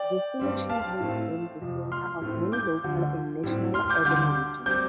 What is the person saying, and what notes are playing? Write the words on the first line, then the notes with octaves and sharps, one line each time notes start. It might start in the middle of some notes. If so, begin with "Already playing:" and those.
The cemetery has been the center of many local and national urban legends.
Already playing: D5 G5
G2 G3 C4
F5 A5
A2 A3 C4
F2 C3 F3
C6 F6
A2 A3 C4
D6 G6
D2 D3 F3
A2 G3 C4
C6 F6
D6 G6
D2 D3 G3 D6 G6
G3 C4 D6 G6